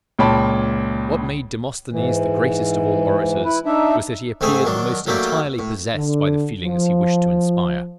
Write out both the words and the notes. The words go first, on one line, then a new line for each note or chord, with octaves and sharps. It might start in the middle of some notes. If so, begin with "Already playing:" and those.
What made Demosthenes the greatest of all orators was that he appeared the most entirely possessed by the feelings he wished to inspire.
C#2 A#2 C#5 G5 A5 B5
G#2 E3
E4 B4
D4 D#4 E5
G#2 A3 C4 G#4 G#5
D#3 F#3 D4
F#3 A3 A#3 D4 G4
A2
D3
F3